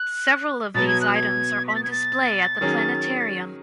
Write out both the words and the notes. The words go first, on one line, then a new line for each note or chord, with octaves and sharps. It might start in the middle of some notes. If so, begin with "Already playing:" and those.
Several of these items are on display at the planetarium.
Already playing: F#6
B2 F#3 B3 A6
G#6
F#6
G#6
B6
A6
G#6
A6
D#3 F#3 C#4 G#4